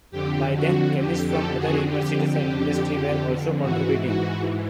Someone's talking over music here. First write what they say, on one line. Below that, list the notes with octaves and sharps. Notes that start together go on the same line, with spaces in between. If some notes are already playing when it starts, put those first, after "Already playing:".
By then, chemists from other universities and industry were also contributing.
F2 D3 G4
F#4
G4
G4 A4
F#4 G#4
G4
G4
G#2 E3 F#4
F#4